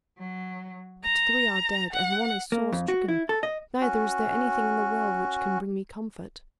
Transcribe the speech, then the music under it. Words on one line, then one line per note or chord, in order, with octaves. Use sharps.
But three are dead, and one is sore stricken; neither is there anything in the world which can bring me comfort.
F#3
A#5
F#5
A#3
F2
F#4
E4
A4
D#5
C#4 F#4